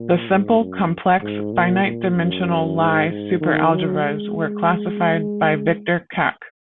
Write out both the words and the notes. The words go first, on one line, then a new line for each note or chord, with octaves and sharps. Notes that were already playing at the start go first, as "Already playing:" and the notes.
The simple complex finite-dimensional Lie superalgebras were classified by Victor Kac.
Already playing: A#2
G#2
F#2
G#2
A#2
A#2
F#2
G#2
G#2
D#3
F#3
G#3